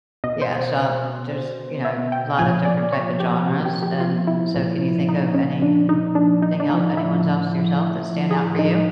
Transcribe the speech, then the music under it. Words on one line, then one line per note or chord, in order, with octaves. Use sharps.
yeah so there's, you know, a lotta different type of genres, and so, can you think of anything el anyone's else yourself that stand out for you?
B2 D#5
C5
C5
E5
G5
A#2 F3 G#5
D5
C#5
G4
F#4
G4
G4
F4
E4
A#2 F3
D#4
C#4
D4
D#4
D4
D#4
D4
A2 F3 D#4
E4
G#4
D#4